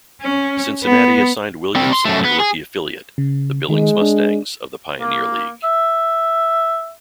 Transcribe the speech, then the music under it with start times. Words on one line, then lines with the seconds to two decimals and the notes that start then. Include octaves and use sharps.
Cincinnati assigned Williamson their rookie affiliate, the Billings Mustangs of the Pioneer League.
0.21 C#4
0.84 B3
1.75 G3 C4
1.93 C6
2.05 F#2 A3
2.25 B3
2.40 G#4
3.18 C#3
3.69 D#3 G#3 D#4
4.02 D4
5.01 A#3
5.64 E5